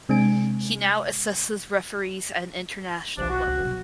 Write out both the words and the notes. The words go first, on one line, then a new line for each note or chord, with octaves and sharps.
He now assesses referees at an international level.
C3 G#3 C4 D4 G#5 D7
B1 E2 C3 E3 D4
F#4
C#2 C#4
B2 F#3